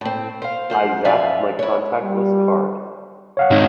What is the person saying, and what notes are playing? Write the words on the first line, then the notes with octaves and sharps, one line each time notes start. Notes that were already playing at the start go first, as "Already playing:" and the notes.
I zapped my contactless card.
A2 C4
C5 F5
F3 C5 F#5
F#2 F3 D5 E5 F5 G#5
E4 C#5
G3
C#5 F5 F#5
G#2 D#3